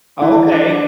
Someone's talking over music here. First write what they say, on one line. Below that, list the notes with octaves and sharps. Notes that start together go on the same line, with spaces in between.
Oh, okay.
E3 E4
D4